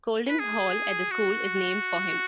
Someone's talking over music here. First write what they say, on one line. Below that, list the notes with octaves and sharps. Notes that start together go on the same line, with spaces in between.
Colden Hall at the school is named for him.
B4
G#4
F#4